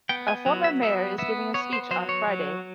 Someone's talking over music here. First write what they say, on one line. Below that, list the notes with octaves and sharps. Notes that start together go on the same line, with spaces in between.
A former mayor is giving a speech on Friday.
B3 G5
G#5
F#3
E5
B3 E5
B3 E5
B3 C#5
C5
F#3 C5
C#5
F#3